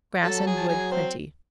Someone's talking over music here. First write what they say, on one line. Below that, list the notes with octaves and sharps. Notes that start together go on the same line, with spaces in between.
Grass and wood plenty.
F#3 A4 A5
A5
G#4 G#5
A5
F#3 G#4 G#5
C4 C5